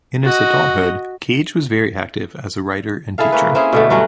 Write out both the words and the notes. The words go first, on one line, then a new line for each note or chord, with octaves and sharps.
In his adulthood, Cage was very active as a writer and teacher.
F#4 D#5
E4 G#4 A4 F5
A#3 C#4 B4
C4 C#4 E4 G#4
B2 D3 A3
G2 F#3 C#4 F#5